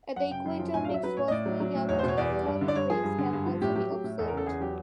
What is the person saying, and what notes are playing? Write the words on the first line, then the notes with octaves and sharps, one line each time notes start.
At the equator, mixed Rossby-gravity and Kelvin waves can also be observed.
F#2 F#5
C#3 G5
F#2
F3
A2 G#5
F5
F#3 E5
F#3 B4
A2 C#5
D#5
A2 D5
F#3
F#3
A2
E2 C#5
C5
B2 C#5
E2 D5
G3
G2
D3
D5
G2 C#5
F3 G#4
G2
D3
G2
F3
A2 G4
F#3 G4
F#3
A2
E2 A4
A#4
C#3 A4
E2 G#4
F#3 G4